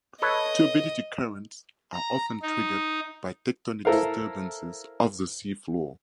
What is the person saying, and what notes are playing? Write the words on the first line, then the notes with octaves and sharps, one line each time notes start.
Turbidity currents are often triggered by tectonic disturbances of the sea floor.
A4 B4 C#5 D#5
A#5
D#4
E4 A4 A#4 C5 F5